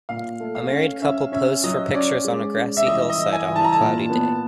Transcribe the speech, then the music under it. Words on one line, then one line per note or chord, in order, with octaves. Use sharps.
A married couple pose for pictures on a grassy hillside on a cloudy day.
A#2 F5
A3
F5
C#4
C#4 E5
C#4 E5
F#3 D#5
C#4 D5
G#3
C#4
E5
E3 D#5
D#5
E3
G#5
E3
A5
A#5
A5
A#2
B3